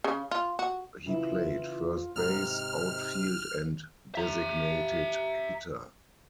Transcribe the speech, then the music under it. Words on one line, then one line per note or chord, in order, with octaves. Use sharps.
He played first base, outfield and designated hitter.
C#3
F4
F#4
C#3 E3 E4 F4
G#2 C3 D#4 G4 A#5 F6
E5 A#5